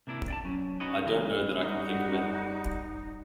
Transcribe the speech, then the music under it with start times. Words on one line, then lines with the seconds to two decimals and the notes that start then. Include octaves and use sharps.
I don’t know that I can think of any.
0.07 C3 A#3 D4 E4
0.28 D5 G5 A5
0.44 F#3 C#4
0.80 C#4 D#4 F#4 B4 C#5 D#5
1.05 C#3 E3 F#3 A3 B3 D#4
1.60 G3 D#4 F#4